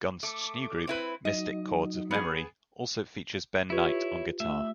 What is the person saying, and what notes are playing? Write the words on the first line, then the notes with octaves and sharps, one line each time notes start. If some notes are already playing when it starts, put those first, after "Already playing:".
Gunst's new group, Mystic Chords Of Memory, also features Ben Knight on guitar.
A3 D6
C4 E4 B4
F#3 D#4 D#5
B3 G#4
E4 F4 G4 B4 C#5
A3 E5